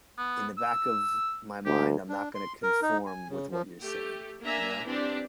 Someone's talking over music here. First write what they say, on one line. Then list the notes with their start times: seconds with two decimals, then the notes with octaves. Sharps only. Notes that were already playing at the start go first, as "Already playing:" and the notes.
in the back of my mind, I'm not gonna conform with what you're saying, you know.
0.18 B3
0.58 E6
1.66 D2 G4
2.09 D4
2.35 C6
2.62 A#4
2.82 D#4
3.06 G#5
3.29 C#3
3.51 F3
3.81 A3 G4
4.42 A#3 D4 E5 G#5 A#5
4.85 E3 G3 C4 D4 G4